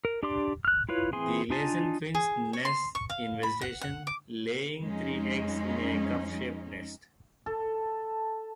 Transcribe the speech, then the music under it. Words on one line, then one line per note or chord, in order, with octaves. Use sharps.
The Laysan finch nests in vegetation, laying three eggs in a cup-shaped nest.
A#4
D4 G4 D5 C6 D6
F6 F#6
E4 F4 B4 C#5
E3 C4 G#4 G#5 C6
D4 D#4 F4 G#5 A5
G#4
C#5
C6
C#6
F5
B5
F#5
F#5
D6
F2 G#3 C#4 D#4
A4